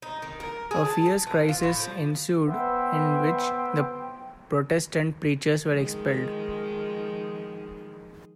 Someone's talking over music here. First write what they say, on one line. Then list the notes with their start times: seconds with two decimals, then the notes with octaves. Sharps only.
A fierce crisis ensued in which the Protestant preachers were expelled.
0.02 D#4
0.22 D#3
0.40 A#4
0.71 G#4
0.85 A5
1.27 E3
1.49 F4
1.63 A2
1.80 F3
2.48 B3 B4 C5 E5 G5
5.67 D#3 F3 G#3